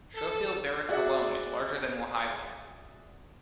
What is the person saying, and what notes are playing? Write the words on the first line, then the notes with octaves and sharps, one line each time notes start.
Schofield Barracks alone is larger than Wahiawa.
A4
F#4 G#4 D5 E5 F#5